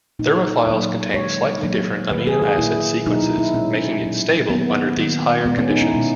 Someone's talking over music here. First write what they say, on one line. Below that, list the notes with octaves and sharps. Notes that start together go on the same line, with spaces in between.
Thermophiles contain slightly different amino acid sequences making it stable under these higher conditions.
A#2 A#3 D#4
A#2 F#3 A#3
D#3 G#3 C#5
A#2 F#3 A#3
D#3 A#3 B4
G#4
G#4
A#2 A#3 E4
B2 F#3 A#3 D#4
E4
E4
A#2 G#3 C#4
A#2 F#3 A#3
D#3 F#3 A#3 B3
D#3 A#3
A#2 G#3 B3
C#4
D#4
E4
B2 G#3